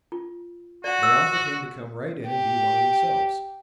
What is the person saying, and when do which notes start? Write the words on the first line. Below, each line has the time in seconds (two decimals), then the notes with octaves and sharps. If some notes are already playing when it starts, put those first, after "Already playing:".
They offered him to come right in and be one of themselves.
0.12 F4
0.84 F#4 D5 F#5
1.03 E6
2.27 G4